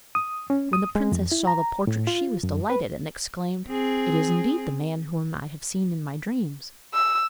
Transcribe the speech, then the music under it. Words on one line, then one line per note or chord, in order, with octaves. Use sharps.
When the princess saw the portrait she was delighted, and exclaimed: 'It is indeed the man whom I have seen in my dreams!
D#6
C#4
D#6
G#3
F2
E4
A#5
A2
F4
F#2
B4
C4 G#4
E6